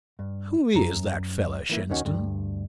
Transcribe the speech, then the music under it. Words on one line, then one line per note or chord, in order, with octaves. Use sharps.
"Who is that fella, Shenstone?"
G2
F#2 A#5
E3 A#3 E4
D#2 D#3 C#4 F#4
D2 G2